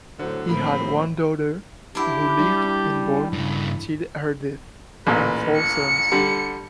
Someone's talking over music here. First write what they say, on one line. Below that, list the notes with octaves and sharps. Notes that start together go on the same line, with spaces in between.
He had one daughter, who lived in Bonn till her death, and four sons.
A2 D3 F#3 C5
A2 F3 A#3 C4 B5
D4 E4 G4
G3
G2 C#3
A1 A#2 B4
C#7
D3 G3